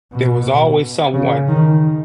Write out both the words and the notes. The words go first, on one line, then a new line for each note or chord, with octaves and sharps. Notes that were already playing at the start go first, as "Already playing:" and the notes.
There was always someone
B2
C#3
D#3